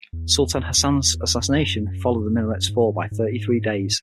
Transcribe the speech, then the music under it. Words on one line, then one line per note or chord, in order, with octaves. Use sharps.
Sultan Hasan's assassination followed the minaret's fall by thirty-three days.
E2
E2
E2
F#2
E2
F#2
G#2
G#2